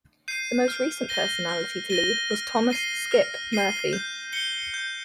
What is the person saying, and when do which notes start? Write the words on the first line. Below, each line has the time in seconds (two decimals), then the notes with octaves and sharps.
The most recent personality to leave was Thomas "Skip" Murphy.
0.28 G6 C7 D#7
0.68 F6
1.09 A#6 D#7 G7
1.49 F6
1.90 A#6 D#7 G7
2.31 F6
2.70 C7 D#7 G7
3.11 F6
3.52 C7 D#7 G7
3.93 G6
4.33 C#7 G7
4.74 G6